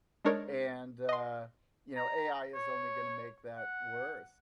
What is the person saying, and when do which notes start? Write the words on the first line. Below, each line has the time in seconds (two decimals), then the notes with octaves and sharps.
and, uh, you know, AI is only gonna make that worse.
0.25 G#3 D4 D#4 A#4 C#5 D5
1.09 D#5 C6
1.97 A#5
2.54 C#5
3.57 F#5